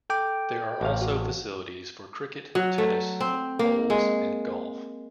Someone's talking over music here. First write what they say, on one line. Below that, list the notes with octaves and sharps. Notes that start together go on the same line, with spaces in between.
There are also facilities for cricket, tennis, bowls, and golf.
A4 G5 D6
A1 F5
F#4
F#3
A3
C4
A#3
G#3